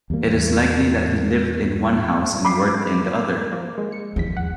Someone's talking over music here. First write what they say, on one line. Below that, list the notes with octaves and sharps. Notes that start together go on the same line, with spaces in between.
It is likely that he lived in one house and worked in the other.
E2 G3 A#3
B5 D6 C7
F3 A#3
G#3
C#7
G#1 E2 F3 B6
F#5